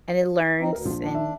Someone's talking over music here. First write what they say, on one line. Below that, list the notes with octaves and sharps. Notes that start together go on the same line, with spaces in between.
And it learns and,
C4 D#4
D2 A#4 B4
A#1 F3
D4
E5